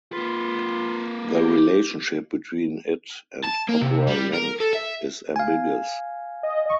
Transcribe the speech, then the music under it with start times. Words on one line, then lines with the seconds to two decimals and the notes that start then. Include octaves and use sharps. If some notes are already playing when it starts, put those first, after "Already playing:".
The relationship between it and "opera length" is ambiguous.
0.13 A#3 F4 B4
1.35 G4
3.45 A5
3.69 A#3
3.82 C3
4.08 G3
4.35 A#4
4.60 A4
4.73 E5
5.36 F5 G#5
6.43 D#5
6.65 D#5 C#6